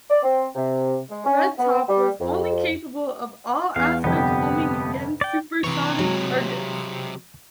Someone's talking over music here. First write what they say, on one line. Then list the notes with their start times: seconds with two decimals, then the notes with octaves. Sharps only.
Red Top was only capable of all aspect homing against super-sonic targets.
0.10 D5
0.23 C4
0.56 C3
1.10 G#3
1.25 C#4
1.59 B3
1.89 G3
2.21 F2
3.76 E2 F5
4.04 G1 F2 C3 B3 G4
5.21 D5 G5
5.64 C3 E3 C#5
5.99 F#3 G#3